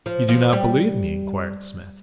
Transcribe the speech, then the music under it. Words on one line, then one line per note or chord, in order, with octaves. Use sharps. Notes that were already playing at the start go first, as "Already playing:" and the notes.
"You do not believe me?" inquired Smith.
F3
F3
G3